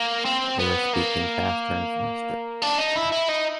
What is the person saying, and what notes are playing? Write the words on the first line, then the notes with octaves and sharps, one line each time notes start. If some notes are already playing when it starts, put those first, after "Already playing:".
They were speaking faster and faster.
Already playing: A#3
C4
B3
A#3
D4
D#4
E4
E4
D#4